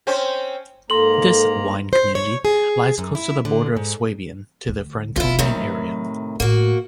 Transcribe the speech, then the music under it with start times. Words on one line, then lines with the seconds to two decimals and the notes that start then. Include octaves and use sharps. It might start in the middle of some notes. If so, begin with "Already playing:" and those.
This "wine community" lies close to the border of Swabian to the Franconian area.
0.07 C4 C#4 C5
0.90 G#2 A#3 A4 A#5 C6 F#7
1.93 C5
2.15 C#5
2.45 G#4
2.98 F#2
3.15 E4
3.45 D3
3.77 G#2
4.68 D2
5.16 F1 C#4 E4 F4
5.39 A2 C3 D#3 F#3
6.40 A2 A#3 F#4